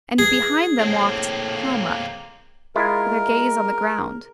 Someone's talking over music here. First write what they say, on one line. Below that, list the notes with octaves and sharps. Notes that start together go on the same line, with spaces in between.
And behind them walked--Helma, with her gaze on the ground.
E3 G#4
A2 A#3 C4
G#3 E4 F4 A#4